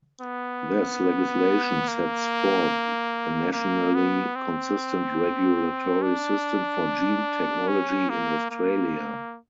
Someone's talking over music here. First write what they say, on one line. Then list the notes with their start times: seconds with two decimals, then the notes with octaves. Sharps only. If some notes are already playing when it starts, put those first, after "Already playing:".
This legislation sets forth a nationally consistent regulatory system for gene technology in Australia.
0.21 B3
1.88 A#3
3.53 A#3
3.95 B3
4.36 C4
6.02 D4
7.68 C#4
8.10 A#3
8.51 A#3